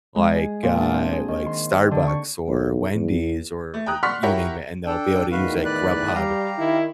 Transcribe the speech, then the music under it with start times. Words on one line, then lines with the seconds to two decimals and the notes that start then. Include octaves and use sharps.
like, uh, like Starbucks or Wendy's or you name it, and they'll be able to use like Grubhub.
0.16 G#3
0.36 G#4
0.63 A#2
0.78 D4
0.94 C4
1.12 G#4
1.28 D#3
1.46 C6
1.72 G4
1.91 D3
2.08 C#6
2.48 B1
2.95 E2
3.74 A3
3.86 G5 A#5 D#6 F#6
4.03 D5 F#5 C6 C#6 F6 B6
4.23 E4 G4 A#4 C#5 E5 F#5
4.86 D4 A4 G5
5.31 E2 A2 D#3 F#4 B4 F5
5.65 B4 D5 F#6
6.14 G3 G4 F5 A#5
6.58 D#3 E4